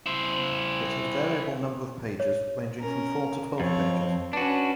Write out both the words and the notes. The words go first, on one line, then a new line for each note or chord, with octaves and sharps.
It had variable number of pages ranging from four to twelve pages.
E4 C5
C#5
C#4 A#4
F2 C4 C#5 F5
C#4 D4 F#4 B4